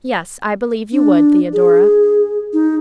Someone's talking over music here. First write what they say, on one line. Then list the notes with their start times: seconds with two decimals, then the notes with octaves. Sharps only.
"Yes, I believe you would, Theodora."
0.92 D4
1.53 G#4
2.53 D#4